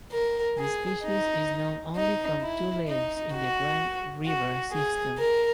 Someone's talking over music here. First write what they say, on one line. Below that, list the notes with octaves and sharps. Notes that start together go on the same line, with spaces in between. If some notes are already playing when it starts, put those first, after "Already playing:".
The species is known only from two lakes in the Grime river system.
A#4
G#4
D#4
D#4
E4
D#4
F#4
F#4
G#4
A#4